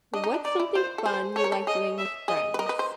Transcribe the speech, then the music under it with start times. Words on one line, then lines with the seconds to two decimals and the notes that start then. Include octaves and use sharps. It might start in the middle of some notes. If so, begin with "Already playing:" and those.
What's something fun you like doing with friends?
0.14 D4 D#5
0.24 D#4
0.34 D4
0.44 D#4 D5
0.60 E4
0.75 F4 C5
0.98 A4
1.05 G#4 C5
1.36 A4 C#5
1.44 A#4
1.52 A4
1.67 G#4 D#5
1.98 E5
2.28 G#4 D#5
2.54 B4
2.59 A#4 D#5
2.69 B4
2.79 C5